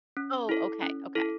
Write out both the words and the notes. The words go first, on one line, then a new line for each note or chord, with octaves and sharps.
Oh, okay, okay,
C#4
E4 A4
C#4
E4 A4